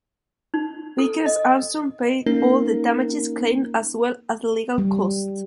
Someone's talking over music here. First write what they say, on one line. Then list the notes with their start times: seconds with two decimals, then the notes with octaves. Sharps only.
Vickers Armstrong paid all of the damages claimed as well as the legal costs.
0.54 D#4
0.98 A4
1.26 D#5
2.26 A#3 C#4 D#4 A#4
4.78 G3